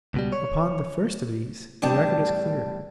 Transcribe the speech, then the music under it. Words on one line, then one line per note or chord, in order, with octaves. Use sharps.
Upon the first of these, the record is clear.
C#2 B2 G3
C#5
E2 A2 G3 D4 A5